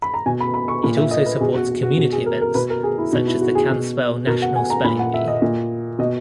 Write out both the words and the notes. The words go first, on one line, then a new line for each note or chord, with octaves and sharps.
It also supports community events such as the Canspell National Spelling Bee.
B5
A#5
B2 G#5
B5
B5
C#6
A#2 B5
E5
D#5
B4
B2 G#4
F#4
F#4
F#4
B2 F#4
G#4
A#4
A#4
B2 B4
A#4
G#4
E4
B2 D#4
E4
F#4
G#4
B2
B2 A#4
F#5
G#5
A#5
A#2 B5
F#5
E5
D#5
A#2
B2 D#5